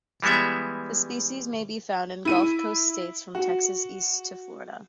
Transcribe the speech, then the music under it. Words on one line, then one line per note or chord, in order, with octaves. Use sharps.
The species may be found in Gulf Coast states from Texas east to Florida.
E3 G3 G#3 B3 E5
E4 D#7
F#4